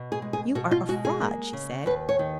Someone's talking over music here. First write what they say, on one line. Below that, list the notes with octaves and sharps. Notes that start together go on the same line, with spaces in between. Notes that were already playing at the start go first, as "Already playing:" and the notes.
"You are a fraud," she said.
Already playing: B2
G#4
G#3
G#4
B2 F#4
F4
G#3 F#4
G#4
A#3
C#3
D#2 B4
C#5
D#3